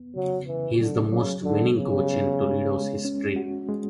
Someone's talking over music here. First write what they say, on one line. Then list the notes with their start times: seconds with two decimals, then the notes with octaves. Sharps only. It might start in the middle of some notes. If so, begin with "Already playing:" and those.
He is the most winning coach in Toledo's history.
Already playing: B3
0.16 C#3 F#3
0.48 C#3 E3
0.80 D3 F#3
1.12 C#3 F#3
1.44 D3 F#3
1.76 C#3 B3
2.09 B3
2.41 G#3
2.72 G#3
3.05 C#4
3.36 F#4
3.69 G#3